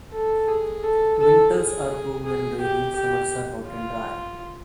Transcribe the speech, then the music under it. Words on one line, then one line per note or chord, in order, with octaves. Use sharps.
Winters are cool and rainy, summers are hot and dry.
A4
G#4
A4
A4
G#4
G#4
G4
G4
F4